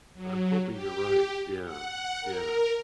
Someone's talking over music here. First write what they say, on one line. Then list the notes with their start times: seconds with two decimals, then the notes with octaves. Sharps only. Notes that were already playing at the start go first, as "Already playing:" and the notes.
I'm hoping you're right, yeah. Yeah,
0.14 F#3
0.71 G4
1.64 F#5
2.21 A#4